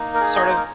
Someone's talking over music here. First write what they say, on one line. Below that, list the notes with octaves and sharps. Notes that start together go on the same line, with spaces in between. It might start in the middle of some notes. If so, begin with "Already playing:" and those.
sort of
Already playing: A#3 D#4
A#4
G#4
D#5
C#5
C5
A#4